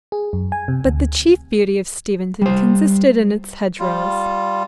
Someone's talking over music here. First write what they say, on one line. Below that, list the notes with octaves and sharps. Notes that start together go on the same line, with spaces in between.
But the chief beauty of Steventon consisted in its hedgerows.
G#4
F#2
G#5
C3
D2
G3 C5
G3 F4